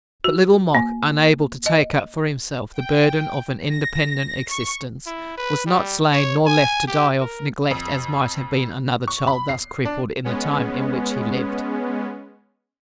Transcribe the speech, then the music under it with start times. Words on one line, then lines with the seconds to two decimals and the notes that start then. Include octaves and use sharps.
But Little Mok, unable to take up for himself the burden of an independent existence, was not slain nor left to die of neglect as might have been another child thus crippled in the time in which he lived.
0.24 F#4
0.75 A#3
1.66 D#5
2.75 G5
3.69 A#6
4.50 C#6
5.06 E4
5.37 B4
5.66 G3
6.12 C#5
6.46 G#5
6.87 G4
7.20 A#4
7.71 F2
9.08 C#6
9.27 B5
9.49 C7
9.85 D4
10.24 G#3 B3 C#4